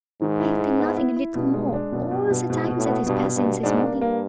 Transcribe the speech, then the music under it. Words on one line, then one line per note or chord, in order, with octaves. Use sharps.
"I have been loving a little more all the time that has passed since this morning."
G#2 D#3
E4
G#3
B3
E4
E4
G2 B2
G#3
D4
F#2 B2
B2
G2
B2
G#2 B2
B2
A2
B3
G2 B2
B2
G2
B2
G#2 D4
A#3
G2
A#3